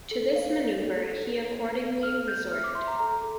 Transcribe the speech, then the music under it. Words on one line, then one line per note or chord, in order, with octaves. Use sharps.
To this manoeuvre he accordingly resorted.
A4
F5
C5
A4
A4
C5
C5
F5
A4 F6
A4 G6
E5 F6
D6
E5 C6
A#5
A4 A#5
A4